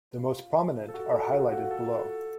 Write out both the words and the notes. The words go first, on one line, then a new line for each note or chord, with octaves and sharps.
The most prominent are highlighted below.
F4
A4
F#4
A4
F#4
F4
F#4
A4